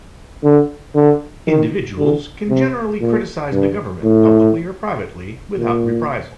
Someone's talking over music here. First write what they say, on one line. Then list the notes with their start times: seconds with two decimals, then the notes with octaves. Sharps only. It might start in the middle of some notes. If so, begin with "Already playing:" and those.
Individuals can generally criticize the government publicly or privately without reprisal.
0.44 D3
0.95 D3
1.47 D#3
1.98 D3
2.49 C3
3.01 A#2
3.53 G2
4.03 A2
5.57 A#2